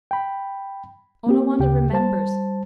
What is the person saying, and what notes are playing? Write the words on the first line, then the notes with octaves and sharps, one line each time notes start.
Onawandah remembers!
G5 B5
A#3 C4 G4
D2 C#3 G4 G5
G3 C5 A5